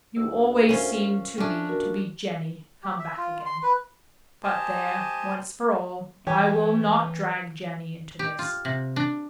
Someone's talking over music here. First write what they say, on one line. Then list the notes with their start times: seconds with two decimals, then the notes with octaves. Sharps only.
You always seemed to me to be Jenny come back again; but there, once for all, I will not drag Jenny into this.
0.17 D2 E6
0.69 C#4 F4 A#4 C5
1.38 C#4 D4 A4 E5
1.69 A#2 F#4 A#4
2.83 G4
2.99 E5
3.17 F4
3.46 C6
3.63 B4
4.43 G4 C5 D#5 G#5 A5
6.27 E3 G4 C#5 G#5
8.19 G4
8.39 F4
8.65 C3
8.96 D4